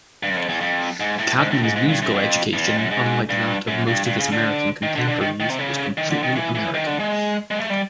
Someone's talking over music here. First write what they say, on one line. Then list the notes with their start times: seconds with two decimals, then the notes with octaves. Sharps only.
Cadman's musical education, unlike that of most of his American contemporaries, was completely American.
0.23 G2
0.30 F#2
0.36 F2
0.49 E2
0.61 F2
1.00 G#2
1.19 A2
1.38 G#2
1.51 A2
1.63 G#2
1.76 G#2
1.89 G2
2.02 F#2
2.14 F2
2.53 E2
2.66 F2
2.78 F#2
2.91 G#2
3.29 G2
3.68 F#2
3.87 G2
4.06 G2
4.19 C#3
4.32 D3
4.83 D#3
4.95 D3
5.08 D3
5.21 D#3
5.40 D#3
5.50 C3
5.59 C#3
5.97 D#3
6.10 D3
6.23 D#3
6.36 E3
6.55 E3
6.74 D#3
6.87 D3
7.00 G#3
7.51 G#3
7.60 A3
7.70 G3